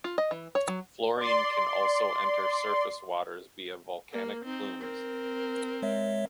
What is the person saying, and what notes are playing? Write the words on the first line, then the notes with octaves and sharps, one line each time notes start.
Fluorine can also enter surface waters via volcanic plumes.
F4
D#5
E3
C#5
F#3
D5 C6
A#3
C4 D#4
C4 A#4
G#3 C#5 E5